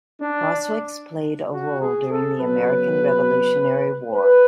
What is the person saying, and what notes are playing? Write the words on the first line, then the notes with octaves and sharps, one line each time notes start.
Crosswicks played a role during the American Revolutionary War.
D4
F#4
G#4
A4
C#3 F#3 B3 B4
B4